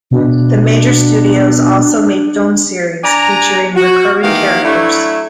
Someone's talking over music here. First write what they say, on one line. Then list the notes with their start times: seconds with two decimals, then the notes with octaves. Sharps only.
The major studios also made film series featuring recurring characters.
0.11 B2 D4
3.04 D4 D5 G#5 A#5
3.76 F#4
4.23 D#3 E3 A#3 G4 F5 F#5
4.63 F#3 A3 D4 E4